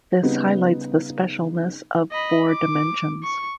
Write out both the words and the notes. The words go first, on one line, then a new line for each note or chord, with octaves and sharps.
This highlights the specialness of four dimensions.
C#3 G3 B3 D#4
D#5 B5
D6
C#6